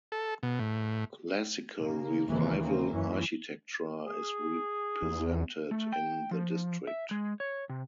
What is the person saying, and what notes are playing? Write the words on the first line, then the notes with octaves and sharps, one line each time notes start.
Classical Revival architecture is represented in the district.
A4
B2
A2
C#3 A#3
D#2 C3 D#3 E3 G#3 A#3
C#3 A#3 C4
F#2 E3 C#4
G#4
E2
A3
G5
F3
E5
G#3
C#5
C3